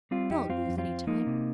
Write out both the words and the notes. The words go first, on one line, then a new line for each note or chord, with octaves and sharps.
Don't lose any time.
G3 C4 F4
F2 D#4 G4
F2 C4 F4
F2
C4 F4
F2
F3 A#3 D#4
C3